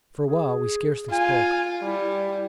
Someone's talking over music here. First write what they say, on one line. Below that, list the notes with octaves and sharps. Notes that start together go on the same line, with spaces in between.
For a while we scarcely spoke.
G#4
F4 G#5
G3 E4